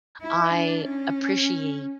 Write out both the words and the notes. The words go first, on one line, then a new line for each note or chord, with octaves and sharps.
I appreciate
E4
D4
C#4